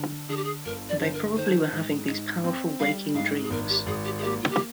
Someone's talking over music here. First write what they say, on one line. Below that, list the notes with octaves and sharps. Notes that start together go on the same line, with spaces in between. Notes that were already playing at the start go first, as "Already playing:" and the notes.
They probably were having these powerful waking dreams.
Already playing: D3
D3 G#4
G4
G#4
G1 A#4
D5
D3 C5
A#4
D#3 C5
G#2
G#2
C4
G3 F5
G#2 F5
G#4
G#1 A#4
G4
G#1 G#4
G4
G#4
A#3 G4
F4
G4